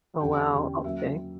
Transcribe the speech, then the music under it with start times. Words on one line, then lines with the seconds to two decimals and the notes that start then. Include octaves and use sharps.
Oh, wow, okay.
0.20 E2 D3 G3 C#4 G5
0.52 E2 D3 G3 C#4
0.84 C#3 F#3 A#3 E5